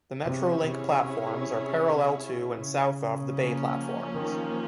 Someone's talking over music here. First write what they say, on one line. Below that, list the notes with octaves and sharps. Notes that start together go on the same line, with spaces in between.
The Metrolink platforms are parallel to, and south of the bay platforms.
C3 C#4 E4 G#4 C#5
C3
C3
C#3
F3 A#3 C#4
D#3